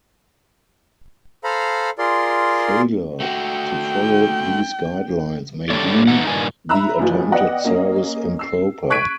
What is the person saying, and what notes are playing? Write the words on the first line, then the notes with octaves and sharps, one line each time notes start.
Failure to follow these guidelines may deem the attempted service improper.
A4 C5 F5 A#5 B5
F4 G#4 A#4 D5 C6
A3 F#4 G5
G3 A3 D4 A4 C#5 D5
E3 A3 D#4 F#5
G2 A#2 D#3 D4 G#5
E5 A#5 B5 E6 F#6
F#1 E3 F3 F#4
B3 D5 D#5 F#5 G5
A#3 C#4 D#5
E6 C7
C#6 F#6 G#6 B6 D7 D#7